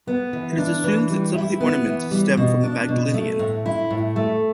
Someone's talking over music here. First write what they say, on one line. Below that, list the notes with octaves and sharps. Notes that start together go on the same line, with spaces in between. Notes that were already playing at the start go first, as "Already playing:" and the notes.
It is assumed that some of the ornaments stem from the Magdalenian.
B3
E3
D4
E3
G3
E4
B3
E3
G3
B2
D4
B2
A3
A2
E4
A2
A3